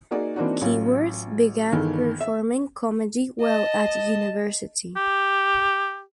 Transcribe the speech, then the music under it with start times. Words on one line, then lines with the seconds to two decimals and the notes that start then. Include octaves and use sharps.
Keyworth began performing comedy while at university.
0.11 A#3 D#4 F#4 G#4 D5
0.36 E3 A#3 C4 D4 D#4 F#4
0.61 A1 F#3 F4
1.72 G1 D#3 E3 G#4 A4
2.21 E5
3.40 D#5 A5
4.96 G4